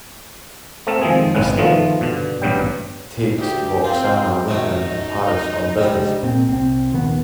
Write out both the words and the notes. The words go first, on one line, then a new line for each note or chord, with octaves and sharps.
Mr. -- takes Roxana with him to Paris on business.
A3 C4 A4 A#4
D#3 F3 G#3 C4 G#4
G1 G#3 B3 C4 F#5
D#3 F3 A3 B3 F4
G2 B2 D3
A1 G2 B2 F#3 G3 G5
D2 G4
C4 F4
F#2 D#3 A3 D#4
G#2 D3 G3
A#2 C4
C2 C4
D#1 D#3 B3